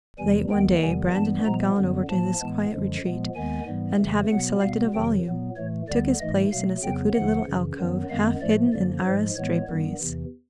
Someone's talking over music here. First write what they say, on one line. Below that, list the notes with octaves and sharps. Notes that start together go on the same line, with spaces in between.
Late one day Brandon had gone over to this quiet retreat, and having selected a volume, took his place in a secluded little alcove half hidden in arras draperies.
E2 C3 E3 G3 G#5
D#2 D#3 G#3 B3 G5
E2 C3 D#3 G3 B3 G#5
G2 E3 G3 B3 A5
A#2 F3 G#3 B3 A#5
F#2 D3 G3 B3
A2 F3 A#3 A5
A2 E3 G#3 B3
F#2 D3 F3 G#3
A#2 F3 G#3 B3
D#2 D#3 G#3 B3 G#5
G#2 E3 G3 B3
F2 C#3 E3 A3
B2 F#3 B3 F#5
B2 G3 B3 F5
F2 C3 D#3 F#3 G5
A#2 F#3 B3
A2 E3 A3 C#5
D2 D3 G3 B3 D5
G#2 E3 A3 D#5
B2 F#3 A3 F5
F2 C#3 F#3 B3 G5
D#2 D3 F3 A3 F#5
F#2 C#3 E3
F#2 D#3 F#3 B3
F#2 D#3 G#3 B3 F5
A2 F3 A3 D5
F#2 D3 F3 A#3 D5
G#2 F3 G#3 C5
A2 E3 G#3 B3 C#5
G2 D#3 G3 B3
E2 C3 E3